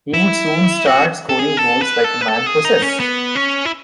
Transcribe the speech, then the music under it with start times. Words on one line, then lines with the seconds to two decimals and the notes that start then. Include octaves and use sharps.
He would soon start scoring goals like a man possessed.
0.14 E4
0.86 F#4
1.29 A4
1.39 G#4
1.57 A4
1.81 B4
2.04 A4
2.21 B4
2.28 A4
2.46 G#4
2.65 D#4
2.82 C#4
3.00 B3
3.35 C#4
3.66 E4